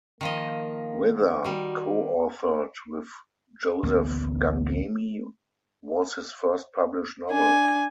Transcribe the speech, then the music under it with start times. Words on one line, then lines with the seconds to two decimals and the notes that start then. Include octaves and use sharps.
"Wither," co-authored with Joseph Gangemi, was his first published novel.
0.21 D#3 F3 A#3 D#5
1.44 D#3 G3 F#4
3.83 A1 D2 A#3 B3
7.31 D4 G#5